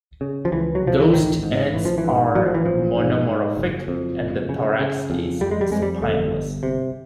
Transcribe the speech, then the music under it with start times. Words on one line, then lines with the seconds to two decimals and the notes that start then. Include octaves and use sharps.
Ghost ants are monomorphic and the thorax is spineless.
0.21 C#3
0.45 F3
0.52 C#2 E3
0.75 F#3
0.82 C#2
0.87 F3
1.00 E3
1.12 A1 D#3
1.43 G#2
1.74 A1 E3
1.85 F3
1.98 E3
2.05 G#2
2.35 A1 F#3
2.46 F3
2.55 E3
2.65 A1 F3
2.97 G#2
3.27 G#2
3.57 F#1
3.88 F2
4.19 F#1
4.49 C#3
4.79 C#3
5.10 F2
5.40 F2 G3
5.51 G#3
5.61 G3
5.71 F2 G#3
5.82 G3
6.02 G1 A3
6.32 G1
6.63 C3